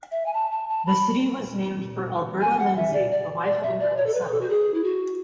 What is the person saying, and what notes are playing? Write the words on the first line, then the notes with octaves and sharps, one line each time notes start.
The city was named for Alberta Lindsey, the wife of an early settler.
E5
G#5
A5
A5
A5
B5
G#5
F#5
E5
D5
D5
D5
E5
D5
C#5
A4
B4
A4
F#4
G#4
E4
F#4